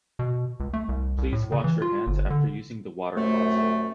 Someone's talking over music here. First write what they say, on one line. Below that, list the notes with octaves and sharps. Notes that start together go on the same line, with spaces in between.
Please wash your hands after using the water closet.
B2
C#2
A3
C2
C2
A2
C#3
E3
F4
G1
D3
C2 F#2 C3 A3